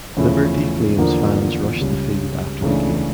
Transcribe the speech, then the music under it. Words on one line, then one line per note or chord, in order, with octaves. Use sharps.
Liberty Flames fans rushed the field after the game.
E2 C#3 F3 A3 E4
E2 D3 F3 A#3 D4
C#2 C#3 G3
C#2 C#3 E3 A3 D4